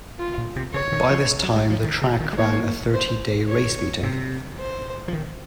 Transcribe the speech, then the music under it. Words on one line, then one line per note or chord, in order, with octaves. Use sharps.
By this time the track ran a thirty-day race meeting.
F4
A#2
C3
C#3 C#5
D#3
F3
F#3
G#3
F3
D#3
C#3
D#3
G#3
A#3 C#5
C5
C#5
C3
C5
F3
D#3